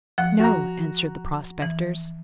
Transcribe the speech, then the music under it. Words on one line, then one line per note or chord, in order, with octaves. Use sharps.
'No,' answered the prospectors.
F3 F#5
F#4 A#5
E3